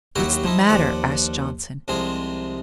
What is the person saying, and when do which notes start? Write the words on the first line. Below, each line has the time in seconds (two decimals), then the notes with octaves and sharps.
"What's the matter?" asked Johnson.
0.16 D#2 F#3 E4 F#4 G4 G5
0.45 F3 D#4 E4
0.69 D#2 F3 D5 F#5
1.88 C2 C3 F3 G#3 G#4